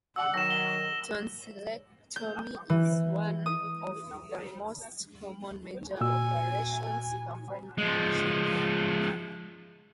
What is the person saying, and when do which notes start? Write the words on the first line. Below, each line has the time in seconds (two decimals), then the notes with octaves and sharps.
Tonsillectomy is one of the most common major operations performed on children.
0.16 D5 F#5 E6
0.34 D#3 F#3 A#6 E7
0.51 G7
2.16 G6
2.70 E3
3.46 D#6
6.01 A#2 F#4 G#5 E6
7.78 F3 G#3